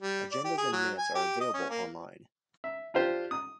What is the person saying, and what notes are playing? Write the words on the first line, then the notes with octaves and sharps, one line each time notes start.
Agendas and Minutes are available online.
G3
D5
G4
G#4
F#3
G#5
G4
D#5
C#4
A#3
E5
D4 F4 G4 C5
D#6